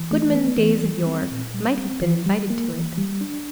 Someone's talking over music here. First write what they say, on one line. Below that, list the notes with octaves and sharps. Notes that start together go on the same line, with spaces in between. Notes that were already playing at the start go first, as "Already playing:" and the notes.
Goodman Days of Yore might have been invited to it.
Already playing: E3
A3
B3
E3
G3
C4
A#2
G3
C4
E3
G3
A#3
E3
G3
D4